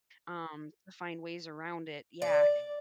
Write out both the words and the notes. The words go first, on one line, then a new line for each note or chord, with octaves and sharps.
um, to find ways around it. Yeah.
D5